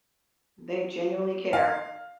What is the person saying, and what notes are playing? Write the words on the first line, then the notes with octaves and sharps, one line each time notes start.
They genuinely care.
F5